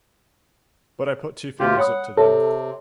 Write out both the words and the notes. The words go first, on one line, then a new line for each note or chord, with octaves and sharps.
But I put two fingers up to them.
D2 F4 G4
C#5 F#5 B5 D#6
C3 A4 C#5 E5